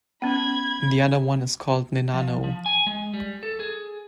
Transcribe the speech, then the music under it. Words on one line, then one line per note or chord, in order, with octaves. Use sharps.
The other one is called nenano.
B3 C#4 B5 G#6
F3
F3
G#5
G#3
G3
A4
G#4